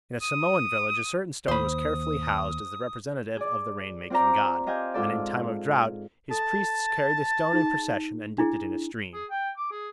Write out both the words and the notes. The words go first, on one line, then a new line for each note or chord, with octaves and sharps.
In a Samoan village a certain stone was carefully housed as the representative of the rain-making god, and in time of drought his priests carried the stone in procession and dipped it in a stream.
D#6
D#2 C5 B5 D#6
G#4 D5
C4 F4 C5 D5 A#5
G4 C5 D#5 F5 G#5 G6
G#2 F4 A4 D5
A4 A5
D#4 G#4
D4 E4 G#4
G#4
G5
D6
G#4